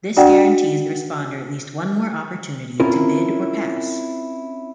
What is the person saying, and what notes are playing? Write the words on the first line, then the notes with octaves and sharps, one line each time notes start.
This guarantees the responder at least one more opportunity to bid or pass.
D4 F#4 D5 F#5 G5
C4 C#4 E4 F4 A#4